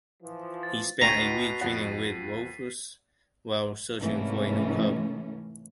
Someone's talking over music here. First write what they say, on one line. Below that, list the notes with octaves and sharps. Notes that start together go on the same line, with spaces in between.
He spent a week training with Wolves while searching for a new club.
E3 F3
A6
D2 B2 G5 A#5 C#6 B6 C7 D#7
F2 F#4
G#2 C3 E3 A3 A#3 C#4